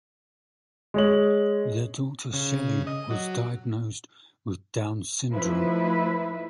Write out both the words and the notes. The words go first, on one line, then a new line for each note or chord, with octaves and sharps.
Their daughter, Shelley, was diagnosed with Down syndrome.
G#3 C#5 F#7
C#3
D#5
F#3
F3 A3 D#4 E4 B4